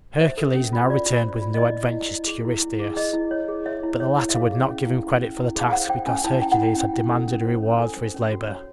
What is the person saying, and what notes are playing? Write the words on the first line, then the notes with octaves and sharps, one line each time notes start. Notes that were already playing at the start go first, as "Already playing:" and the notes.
Hercules now returned with new adventures to Eurystheus; but the latter would not give him credit for the task because Hercules had demanded a reward for his labor.
C5 E5
A4
C#4
F4
F4 D5
F4
C5
F4
D#5
E4 D5
E4
E4
E4
G#4
E4
E4
G#4
G#4 D#5
E4
C#5
G#4
C#5 E5
E4
C#5
E4
E5
G#4 F5
G#4
C#4
E4
E4
C#4
E4
G#4
F5
C5 F#5
C5 G5
C#4 G#5
E4 A5
E4 G5
F#5
E4 G5
C#4
E4
A4
C#4
C5
C#4
A4 G#5
C5
C#4
F#4
C#5